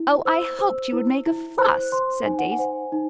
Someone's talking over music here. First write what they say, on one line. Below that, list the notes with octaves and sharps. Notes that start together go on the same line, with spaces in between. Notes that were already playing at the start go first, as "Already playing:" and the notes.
"Oh, I hoped you would make a fuss!" said Daisy.
Already playing: E4
C5 E6
C5
E4
E4
C5 F#6
C5 C6
D#4 G#5
F#5
G#5
C5
D#4